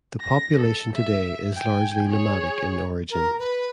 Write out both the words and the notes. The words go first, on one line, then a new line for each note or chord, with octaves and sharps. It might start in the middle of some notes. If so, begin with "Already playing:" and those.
The population today is largely nomadic in origin.
A#6
A4
E5
G5 G#5
G#4 C#5
A#4
B4